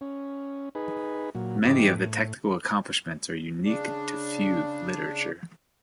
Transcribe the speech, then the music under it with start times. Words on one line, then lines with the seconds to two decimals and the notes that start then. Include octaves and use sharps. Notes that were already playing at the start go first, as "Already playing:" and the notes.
Many of the technical accomplishments are unique to fugue literature.
0.01 C#4
0.75 D#4 G#4 B4
1.35 A#2 F#3
1.64 G#2 E3 C4 D#4 G4 D6
1.94 A2
3.65 C#3 D4